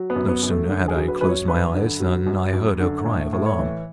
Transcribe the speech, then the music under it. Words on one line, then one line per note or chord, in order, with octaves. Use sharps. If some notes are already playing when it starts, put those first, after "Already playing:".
No sooner had I closed my eyes than I heard her cry of alarm.
Already playing: F#3
B3
F#2
B3
F#2
A3
D3
G#4
F#3
B4
F#2 B4
C#5
F#2 B4
D3
F#3
F#2
F#2
D3
A2
A2
C#5
E3